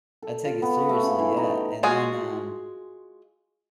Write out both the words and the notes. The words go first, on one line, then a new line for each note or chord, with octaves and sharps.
I take it seriously, yeah, and then, um
A4
F4
B3
F#4
A3
C#3
E3
D#4
G5
G#3 F4 F#4 G#4